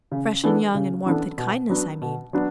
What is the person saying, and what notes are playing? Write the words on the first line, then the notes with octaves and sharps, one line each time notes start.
'Fresh and young in warmth and kindness, I mean.
C#3
E3 B3 D4 A4
C#3
E3 B3 D4 A4
B2
F#3 B3 D4
B2
F#3 B3 D4